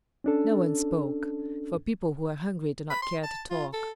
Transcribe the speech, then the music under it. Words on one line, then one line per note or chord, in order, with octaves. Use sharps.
No one spoke, for people who are hungry do not care to talk.
C#4 D4 A4
B5
C6
A5
F4
A4